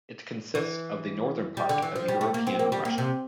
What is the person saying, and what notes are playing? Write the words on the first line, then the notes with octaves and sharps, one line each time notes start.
It consists of the northern part of European Russia.
E3
G3
D3
E3
F3
G3
A3
A#3
C4
A#3
G3
A#3
C3